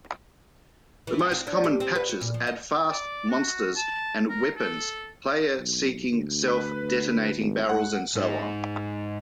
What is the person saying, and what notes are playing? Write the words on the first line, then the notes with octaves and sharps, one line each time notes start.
The most common patches add fast monsters and weapons, player-seeking-self-detonating barrels, and so on.
E3
C4
C4
D4
G4
C4
B4
F#4
A#2
F3
D#5
D5
F#4
A5
A#4
A4
B1
D2
B4
G#1
G#2 F#5
G#2 D#4